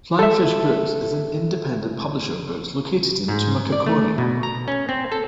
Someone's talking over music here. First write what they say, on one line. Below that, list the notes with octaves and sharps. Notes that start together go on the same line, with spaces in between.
Flying Fish Books is an independent publisher of books, located in Tumacacori.
A4 E5
G#2
D5
A3
B2
A#5
C#4
C4
A4